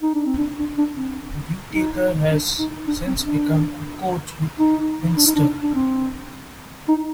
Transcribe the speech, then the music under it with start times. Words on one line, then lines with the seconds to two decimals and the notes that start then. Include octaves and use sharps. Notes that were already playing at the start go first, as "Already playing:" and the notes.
Whitaker has since become a coach with Leinster.
0.02 D#4
0.14 D4
0.26 C4
0.38 D4
0.59 D4
0.78 D4
0.97 C4
1.73 D#4
2.30 D4
2.59 D#4
2.87 D4
3.07 C4
3.25 D4
4.59 D#4
5.16 D4
5.26 D#4
5.35 D4
5.63 D4
5.74 C4
6.88 D#4